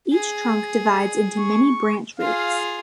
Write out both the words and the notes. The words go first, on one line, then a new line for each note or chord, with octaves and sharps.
Each trunk divides into many branch routes.
G#4
C#6
F4 G#4 F5